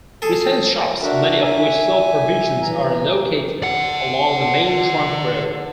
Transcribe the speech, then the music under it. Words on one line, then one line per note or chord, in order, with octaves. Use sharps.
Retail shops, many of which sell provisions, are located along the main trunk road.
G#4 A4
D4 F#4 A#4 E5
E5 G#5
E3 A#5
D5 F#5